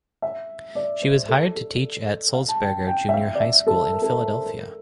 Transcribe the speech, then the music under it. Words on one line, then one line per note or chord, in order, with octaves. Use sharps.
She was hired to teach at Sulzberger Junior High School in Philadelphia.
E5
D5
C5
A4
A4
F5
A5
G5
G5
E5
F5
D5
E5
A4
A#4
A4
A#4
C5
C5
A#4